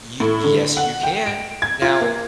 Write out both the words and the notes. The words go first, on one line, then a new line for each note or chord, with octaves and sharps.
You yes, you can. Now
A2
D3
F#5
G5
D7
G#6
F4
A#3